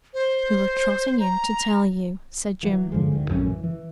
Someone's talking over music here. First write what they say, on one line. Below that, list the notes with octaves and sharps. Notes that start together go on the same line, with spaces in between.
"We were trotting in to tell you," said Jim.
C5
A#5
E3 F#3
G2 D3 F3 G#3
D2 D#3
A#1 F#2 A2 C#4
E3
E3